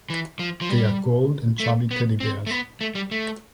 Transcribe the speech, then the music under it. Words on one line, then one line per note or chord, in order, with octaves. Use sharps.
They are gold and chubby teddy bears.
E3
F3
F3
G3
A3
B3
C4
A3
B3
A3
G3
A3